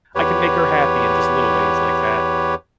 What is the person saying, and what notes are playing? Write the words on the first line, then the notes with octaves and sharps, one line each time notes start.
I can make her happy in just little ways like that,
E2 G4 B4 C#5